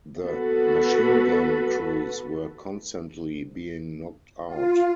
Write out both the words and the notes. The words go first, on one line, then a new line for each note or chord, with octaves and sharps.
The machine gun crews were constantly being knocked out.
B3 F#4 A4 B4
F4